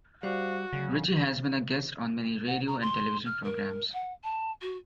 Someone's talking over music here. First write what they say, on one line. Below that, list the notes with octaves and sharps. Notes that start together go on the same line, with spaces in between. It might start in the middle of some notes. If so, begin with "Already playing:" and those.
Richie has been a guest on many radio and television programs.
G3 F#4 C5 F5
D2 C#3 F#3
F#5
A#5
C6
F6
A#4
F#5
A5
F#4